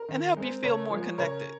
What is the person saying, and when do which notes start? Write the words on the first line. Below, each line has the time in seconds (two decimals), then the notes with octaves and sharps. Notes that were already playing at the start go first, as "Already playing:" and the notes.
and help you feel more connected?
Already playing: A#4
0.09 D#3
0.37 G#3 C4
0.63 C#3 A#4 C#5
0.91 F3 G#3
1.18 C#3 A#4 C#5